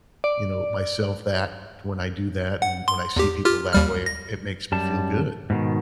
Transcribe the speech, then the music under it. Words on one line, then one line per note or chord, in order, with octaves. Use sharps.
you know, myself that when I do that and when I see people that way, it makes me feel good.
D5
F#5
C6
E2 G4
F4 G4 F6
D#2 G3 F6
A#6
F#2 G3 A5
G#2 B2 D#3